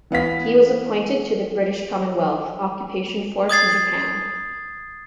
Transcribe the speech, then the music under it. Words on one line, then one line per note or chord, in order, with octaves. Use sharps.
He was appointed to the British Commonwealth Occupation Force in Japan.
E3 B3 F5 B6
D#6 G#6 A6 C7